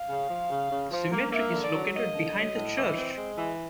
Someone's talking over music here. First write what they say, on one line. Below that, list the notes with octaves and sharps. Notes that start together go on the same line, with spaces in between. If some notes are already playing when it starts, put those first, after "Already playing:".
The cemetery is located behind the church.
Already playing: F5
C#3
F3
C#3
C#3
F3
A#3
A#3 E5
D3
D5
F#3
A#3 D#5
D3
F#3
A2
E3
C4
G#3
E3